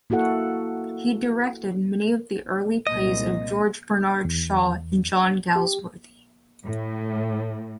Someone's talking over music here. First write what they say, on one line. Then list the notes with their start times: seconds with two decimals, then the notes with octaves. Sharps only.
He directed many of the early plays of George Bernard Shaw and John Galsworthy.
0.10 A#3 E4 F#4 A4 F#5
2.87 C2 A#2 D#5
4.25 E2
5.56 G4
6.67 A2